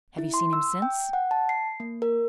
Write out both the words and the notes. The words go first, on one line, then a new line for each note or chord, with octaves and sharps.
"Have you seen him since?"
E4
C6
E6
G5
F#5
A5
C7
A#3
A#4